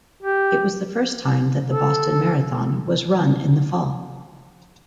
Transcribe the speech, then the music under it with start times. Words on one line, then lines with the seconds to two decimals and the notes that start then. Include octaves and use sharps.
It was the first time that the Boston Marathon was run in the fall.
0.22 G4
1.69 A4